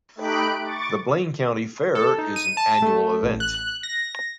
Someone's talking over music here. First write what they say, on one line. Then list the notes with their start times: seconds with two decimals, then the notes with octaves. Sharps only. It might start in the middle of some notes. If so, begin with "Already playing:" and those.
The Blaine County Fair is an annual event.
0.15 A3 D#4 G4 B5 F#6 D7
0.63 C#6 D6 A6
1.95 A4
2.18 D#4
2.36 D#7
2.57 A5
2.82 A3
3.23 A1
3.40 F#6
3.83 A#6